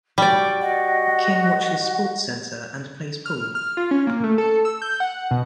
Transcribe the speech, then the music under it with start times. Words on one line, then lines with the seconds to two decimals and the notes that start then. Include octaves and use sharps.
King, watches SportsCentre, and plays pool.
0.18 G3 F#4 D5
0.61 F#4 D#5 F#5
3.26 F6
3.55 F6
3.77 F4
3.91 C#4
4.07 A#3
4.24 A3
4.38 A4
4.65 E6
4.82 G6
5.00 F#5
5.31 B2